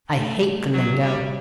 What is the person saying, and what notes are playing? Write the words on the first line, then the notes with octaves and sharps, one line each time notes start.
'I hate the lingo.
A3
F#3
G3